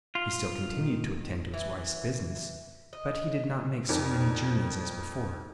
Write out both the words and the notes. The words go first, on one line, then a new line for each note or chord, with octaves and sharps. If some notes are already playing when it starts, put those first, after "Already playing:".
He still continued to attend to his wife's business; but he did not make so many journeys as before.
F4
A#2 D#3
E3
D#5
F2 D4 D#4 A#4